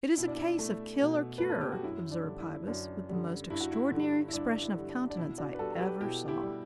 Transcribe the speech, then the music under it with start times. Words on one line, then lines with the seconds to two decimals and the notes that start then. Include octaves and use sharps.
"It is a case of kill or cure," observed Pybus, with the most extraordinary expression of countenance I ever saw.
0.18 B2 E4
0.28 D4
0.37 E4
0.59 A3
1.01 B2
1.38 A3 B4
1.50 A4
1.61 G4
1.72 F#4
1.83 F#2 E4
2.12 D4
2.25 D3 G3
2.39 E4
2.67 F#2 D4
3.09 D3 G3
3.50 G2 E4
3.61 F#4
3.72 E4
3.92 D3 G3
4.29 E4
4.33 G2 D4
4.62 E4
4.75 D3 G3
4.89 D4
5.10 D4
5.17 B2 E4
5.38 D4 F#4
5.55 B4
5.59 G3 F#4 A4
5.73 A4
5.80 G4 B4
6.01 B2 E4 G4
6.28 E4 G4
6.42 G3